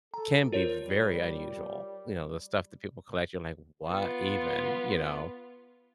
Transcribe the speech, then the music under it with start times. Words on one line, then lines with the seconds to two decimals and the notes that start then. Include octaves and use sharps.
can be very unusual, you know, the stuff that people collect, you're like, "What even?" you know,
0.14 A4 A#5
0.52 F4 A#4 C5 C#5
0.79 G3
3.89 B3 F4